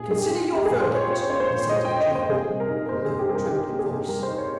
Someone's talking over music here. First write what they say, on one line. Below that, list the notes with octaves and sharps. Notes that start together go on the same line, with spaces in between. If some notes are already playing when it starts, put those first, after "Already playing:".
'Consider your verdict,' he said to the jury, in a low, trembling voice.
Already playing: A#2 G#4
G#3 G#4
G4
F4
C#4 G4
G#4
A#2
C5
G#3 C#5
F4 C5
C#4 C#5
C5
A#2
G#3 D#5
G5
F4
D#5
C#4
C5
C3 G#4
G3
A#4
D#4
A#4
A#3 C5
C3 G#4
G4
G3 G#4
A#4
D#4 G4
A#3
G#4
C3
G3 A#4
D#4 C5
C#5